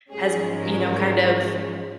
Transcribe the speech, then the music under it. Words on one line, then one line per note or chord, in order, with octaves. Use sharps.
has, you know, kind of
G#2 F3 G#3 C#4 G#4
A#4